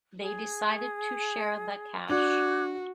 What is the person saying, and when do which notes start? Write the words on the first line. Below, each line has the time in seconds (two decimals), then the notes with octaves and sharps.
They decided to share the cash.
0.20 G#4
2.09 D4 F#4 D6 F#6 G#6